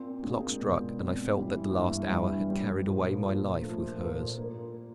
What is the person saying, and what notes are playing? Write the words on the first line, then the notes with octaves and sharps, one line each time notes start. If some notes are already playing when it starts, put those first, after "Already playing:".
The clock struck and I felt that the last hour had carried away my life with hers.
Already playing: A#2 C4
G#3
B2
C4
E3 G3
G2
G3
G3
A#2 F3
A#2
F3 A3
A#2
A#3